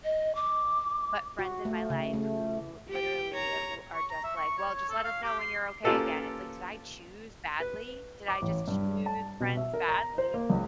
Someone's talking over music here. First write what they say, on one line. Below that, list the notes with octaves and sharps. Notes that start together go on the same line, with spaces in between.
but friends in my life who literally ha are just like, "Well, just let us know when you're okay again," it's like, "Did I choose badly, did I just choose friends badly?"
D#5
D6
F#4
A3
C#3
A3
G4 G5
C#5 A#5
C#6
A#5
E5
C#6
C#5
C#5
A4
F5
G4
C6
A#3 C#4 F4 G4 A4 B4
B4
D6
A1
G2
A5
B2
E5
A#4
A#5
C5
A#3
C#2